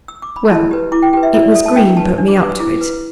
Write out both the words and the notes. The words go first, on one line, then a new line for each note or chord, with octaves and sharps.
Well;--it was Green put me up to it.
E6
D6
B5
E4 A5
G4 B4
E4 D6
G5
G4 B4 G5
E5
E4 E5
D5
A4 E5
A5
D4 G5
G4 B4 A5
D4
D6
G4 B4 D6
E6
E4 D6
B4